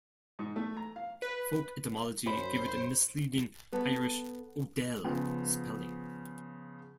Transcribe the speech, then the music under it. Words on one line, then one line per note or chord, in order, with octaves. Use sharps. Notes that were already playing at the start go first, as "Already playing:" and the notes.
Folk etymology gave it a misleading Irish O'Dell spelling.
G#2
A3
A#5
F5
B4
F#2 C#4 C5 B5
B3 A4
C#3 F3 B3